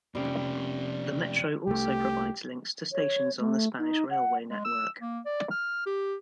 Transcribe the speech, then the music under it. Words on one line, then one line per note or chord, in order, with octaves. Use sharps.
The metro also provides links to stations on the Spanish railway network.
F2 C3 G3 A#3 C4 C#4
C2 A3 G4
C#5
A3
D#4
F#5
G#3
E6
A#3
D5
F6
G4